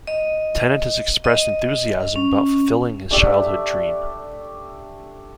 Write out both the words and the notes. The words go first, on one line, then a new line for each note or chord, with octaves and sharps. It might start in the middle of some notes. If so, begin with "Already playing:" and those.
Tennant has expressed enthusiasm about fulfilling his childhood dream.
D#5
D#5
C#4
A3 D4 G4 E5